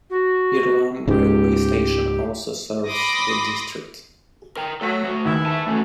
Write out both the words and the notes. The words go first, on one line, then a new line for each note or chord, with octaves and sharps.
Irlam railway station also serves the district.
F#4
C#2 G#2 G4
B5 C6 D6 D#6 A#6
A#4 G5 A#5
F#3 A3 A4
A3 F#4
D#2 G#2 E3 E4
E5 A5
E3 A3 C#4 F#4